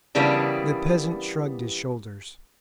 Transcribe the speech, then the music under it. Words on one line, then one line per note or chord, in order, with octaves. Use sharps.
The peasant shrugged his shoulders.
C#3 E3 G3 A#3 B3 D4